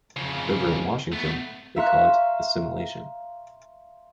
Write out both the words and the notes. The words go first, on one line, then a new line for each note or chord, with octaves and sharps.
Over in Washington, they call it Assimilation.
F2 C#3
A3 B3
E5 F5 A#5 C6 C#6 F#6